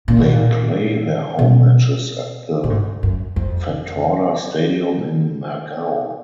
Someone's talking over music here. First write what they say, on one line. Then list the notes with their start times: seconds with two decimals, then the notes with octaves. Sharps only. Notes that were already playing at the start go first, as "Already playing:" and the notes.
They play their home matches at the Fatorda Stadium in Margao.
0.08 A#2
0.20 B2
0.33 A#2
1.39 B2
2.64 A#2
2.70 G#2
3.03 F#2
3.36 F2